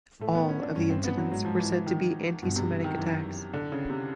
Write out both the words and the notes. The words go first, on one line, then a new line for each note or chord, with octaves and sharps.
All of the incidents were said to be antisemitic attacks.
A2 A3
B3
C#4
D4
G2 C#4
C4
B3
F#3
G#2 F#3
F3
E3
E3
D#3
G2 B2
C3
D#3
F#2 E3
D3
C#3
C3